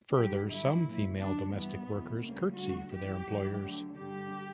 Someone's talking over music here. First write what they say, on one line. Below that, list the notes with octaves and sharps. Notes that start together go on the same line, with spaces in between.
Further, some female domestic workers curtsey for their employers.
G2 D3 F#3 G4
G2 F#3 E4
A#2 F#3
F#2 D3 G3 D4
G2 E3 G3 B3
E2 B2 F#3
D2 C#3 G3 A#3
D2 D3 G3 F#4
F#2 E3 G3 G4
F#2 E3 G3
D2 D3 F#3
G2 D3 G3 G4